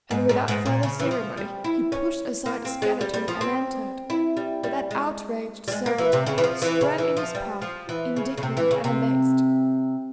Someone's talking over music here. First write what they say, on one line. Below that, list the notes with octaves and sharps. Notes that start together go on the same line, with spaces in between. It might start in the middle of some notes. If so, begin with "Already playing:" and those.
And without further ceremony, he pushed aside the skeleton and entered. But that outraged servitor sprang in his path, indignant and amazed.
G#2
G#2
G#2
A#2
C#3
E3
F3
G3
E4
C#4
A#3
C4
G#3
G3
G3
F3
C4
E4
G3
G3
G#3
G3
G#3
A#3
E3
C3
C#3
E3
F3
E3
C#3
E3
F3
G3
F3
E3
C#3
C#3
C3
E3
C#3
C3